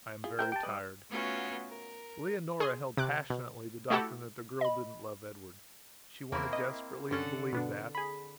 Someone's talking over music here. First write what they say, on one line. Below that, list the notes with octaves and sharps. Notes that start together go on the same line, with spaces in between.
I am very tired. Leonora held passionately the doctrine that the girl didn't love Edward. She wanted desperately to believe that.
E4 F4 G#4
A3 A#4 C5 G5
G4 G5 A5
G3 B4 D5 D#5
A3 B3 C#4 F4 F#4
A#4
G#4 C6
C3 D6 F#6
B2
A3 E4 F#4 G4 A4 F#5
D#5 B5
E2 A#3 C4 E4
D#5
G2 D3 C#4 A4 F#5
B2 B3 D4
G#4 B5